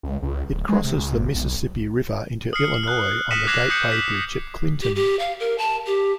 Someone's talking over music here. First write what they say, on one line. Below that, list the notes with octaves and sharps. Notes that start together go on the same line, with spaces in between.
It crosses the Mississippi River into Illinois on the Gateway Bridge at Clinton.
C#2
C#2
D1
G#3
C3
C#2
G1
B1
D#6 F6 C7 C#7
F6 F#6
D#6 A#6 B6 C#7 D#7 E7
D6 F#6 G#6 A#6 C7 E7
D#6 G6 C7 C#7
B6
G4
G4
F5
A#4
A5
G4